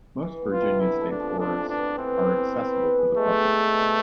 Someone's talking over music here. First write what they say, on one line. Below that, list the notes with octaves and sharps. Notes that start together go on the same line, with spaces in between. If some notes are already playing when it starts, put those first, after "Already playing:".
Most Virginia state forests are accessible to the public.
E3
B3
F4
C3
D3 E4
A3
D4
F3
D4 F4
E3
D4
B3
E3 C4
B3
E3
B4
B4
G#4
G#3 A3
C4
E3
B2